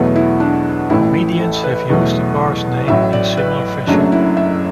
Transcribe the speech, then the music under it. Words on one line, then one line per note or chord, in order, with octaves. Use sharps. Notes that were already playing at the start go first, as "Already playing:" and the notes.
Comedians have used the bar's name in similar fashion.
Already playing: E2 B2 F#3 A3 B3
E4
D4
A1 A2 E3 A3 E4
A4
B4
E2 B2 F#3 A3
A1 A2 F#3 E5
D5
B4
F#1 F#2 F#3 A3 D4
E4
E5